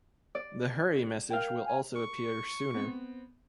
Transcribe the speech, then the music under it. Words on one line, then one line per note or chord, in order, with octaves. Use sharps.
The "Hurry" message will also appear sooner.
D5
A#4 F5 G5
G#5
C#6
B3 C4